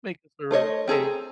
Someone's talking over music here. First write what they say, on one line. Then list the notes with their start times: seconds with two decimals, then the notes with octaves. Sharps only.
make us our own cake
0.51 A3 C5 C#5 D#5
0.88 C4 G#4 A4 A#5